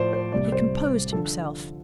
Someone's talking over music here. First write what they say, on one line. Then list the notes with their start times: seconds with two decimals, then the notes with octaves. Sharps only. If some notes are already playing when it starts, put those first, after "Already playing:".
He composed himself.
Already playing: A2 F3 C5 D5
0.13 C5
0.32 C2 C3 G3 D5
0.52 C5
1.12 D3 F3 A4